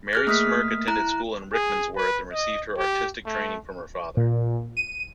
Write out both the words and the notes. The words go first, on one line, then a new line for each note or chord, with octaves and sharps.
Mary Smirke attended school in Rickmansworth and received her artistic training from her father.
G#4 F6 F#6
A3 A#3 D#6 F6 B6
E4 A#5 F#6
G#4
B4
D#5
G4
A3
A#2
D#7